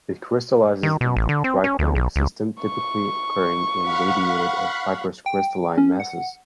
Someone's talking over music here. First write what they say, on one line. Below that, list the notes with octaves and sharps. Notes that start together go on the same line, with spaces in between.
It crystallizes in the triclinic system typically occurring in radiated or fibrous crystalline masses.
D#3
B2
A1
D3
C4
C#4
D2
B1
C#2
C#6
F5 F#5 B5
G5
C#4
F#5